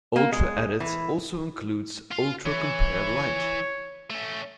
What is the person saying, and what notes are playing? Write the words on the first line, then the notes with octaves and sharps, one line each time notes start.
UltraEdit also includes UltraCompare Lite.
A#3
G#3
E3
F4 F5
E3 C#5
A3 C#4